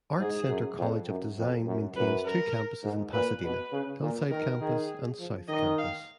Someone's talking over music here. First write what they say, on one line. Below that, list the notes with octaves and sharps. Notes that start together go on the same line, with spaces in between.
ArtCenter College of Design maintains two campuses in Pasadena: Hillside Campus and South Campus.
G#2 G#4
F#2
F2
F#2
F2
F#2
F#2 B4
A#4
G#2
A#2 B4
B2 B4
C#3
A#2
D#3 A#4
D#3 G#4
F3
D#3 D#5
F5